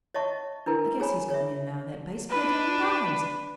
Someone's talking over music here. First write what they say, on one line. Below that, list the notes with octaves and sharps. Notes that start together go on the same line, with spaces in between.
I guess he's gone in and out of that basement a dozen times.
C#5 D#5 E5 F#5 A5 C#6
D4 E4 A#4 B4
G#4 C#5 G#5 B5
C#5 E5
D4 B4